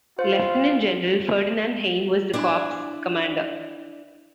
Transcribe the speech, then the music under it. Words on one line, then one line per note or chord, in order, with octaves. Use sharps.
Lieutenant General Ferdinand Heim was the corps commander.
F4 C5
D4 E4 D5 G#5